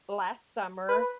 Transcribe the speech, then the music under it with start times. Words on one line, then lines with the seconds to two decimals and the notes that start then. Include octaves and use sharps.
last summer
0.89 B4